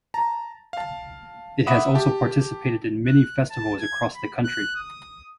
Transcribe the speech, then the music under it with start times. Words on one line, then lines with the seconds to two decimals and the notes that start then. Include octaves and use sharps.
It has also participated in many festivals across the country.
0.14 A5 A#5
0.73 F5 A5
1.67 E5 F#5 B5 D6 D#6
1.95 G4 A5
3.06 F#6
3.50 A5
3.80 G#6
4.15 B5
4.44 F#6
4.75 D#6